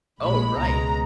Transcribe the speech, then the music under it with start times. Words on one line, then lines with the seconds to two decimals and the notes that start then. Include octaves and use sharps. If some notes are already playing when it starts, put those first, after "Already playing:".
Oh, right.
0.22 A#1 A#2 G#3 B5
0.58 C#2 B2 G#3 A#5